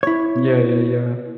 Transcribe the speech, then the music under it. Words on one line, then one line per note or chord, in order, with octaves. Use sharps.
Yeah, yeah, yeah.
E4 C#5